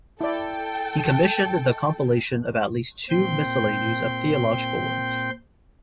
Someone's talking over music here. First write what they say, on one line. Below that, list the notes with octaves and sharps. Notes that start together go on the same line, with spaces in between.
He commissioned the compilation of at least two miscellanies of theological works.
E4 A4 D5 G5
A#2 C4 G5 C6 G6